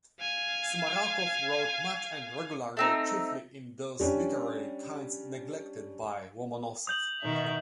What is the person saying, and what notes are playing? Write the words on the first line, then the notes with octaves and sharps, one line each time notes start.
Sumarokov wrote much and regularly, chiefly in those literary kinds neglected by Lomonosov.
F5 G#5
A3 C4 D#4
G3 C#4 D4 G4
D#6 G6 F#7
B2 D#3 E5